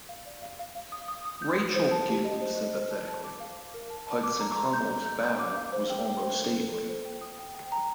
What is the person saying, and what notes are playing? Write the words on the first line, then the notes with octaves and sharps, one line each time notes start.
Rachael giggled sympathetically; Hudson Caramel's bow was almost stately.
F5
D5
F5
F5
F5
D#6
D#6
D#6
G6
D#6
C5
A5
G4
D#5
C5
D#5
C5
A5
A5
D6
F5
D6
A#4
A5
A5
D6
A#5
A#5
G6
A#5
G6
G6
D6
F5
C5
G5
G5
C5
A4
A4
A4
C5
G5
D#6
G5
G5
A#5